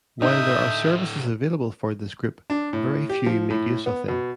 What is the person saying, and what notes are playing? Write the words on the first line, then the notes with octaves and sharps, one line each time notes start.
While there are services available for this group, very few make use of them.
A2 D3 D#4 E5 D#6 G6
D4
A2
G4
F3
A2
B3
B2